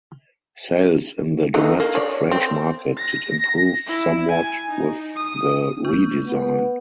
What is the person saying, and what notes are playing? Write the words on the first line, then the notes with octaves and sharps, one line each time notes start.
Sales in the domestic French market did improve somewhat with the redesign.
D3 E3 D#4
A#3
C#5 D5
C4
A#6
E4
G#5
D#4
D#6
A3
B3